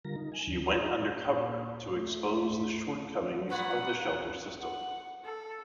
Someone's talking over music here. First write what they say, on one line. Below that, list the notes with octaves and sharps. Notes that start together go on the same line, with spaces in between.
She went undercover to expose the shortcomings of the shelter system.
D3 G3 F4 A#4 A#6
D#4
G#5
D#2 E3
D5
D#4 G#4 C5 D#5 A#5
A#2
A3
A#2 F4 B4 F#5
F#5
A4